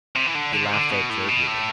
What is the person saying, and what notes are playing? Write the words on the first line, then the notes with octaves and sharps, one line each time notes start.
He laughed out jovially.
C3
E3
D3
D3
C3
D3
B2
A2
B2
A2